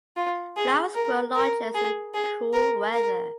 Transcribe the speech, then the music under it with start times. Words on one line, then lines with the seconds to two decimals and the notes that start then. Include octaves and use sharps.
Flowers grow largest in the cool weather.
0.16 F4
0.56 G#4
0.95 A#4
1.35 A#4
1.74 G#4
2.14 G#4
2.53 A#4
2.93 A#4